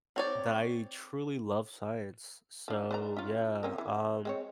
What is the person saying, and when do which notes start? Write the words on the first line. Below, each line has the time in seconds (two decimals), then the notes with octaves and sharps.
that I truly love science, so, yeah, um
0.16 C4 C#5 D5
2.68 F3 D4
2.91 B4 D5 A#5
3.17 C#4 F4
3.63 C4 C#4 A#4
3.78 E3
4.25 G#3 C4 C#5